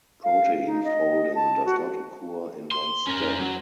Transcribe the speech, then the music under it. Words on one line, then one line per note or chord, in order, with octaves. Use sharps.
Protein folding does not occur in one step.
F5
D#4
D#5
A5
F#4
C6
C#4 A#4
F#3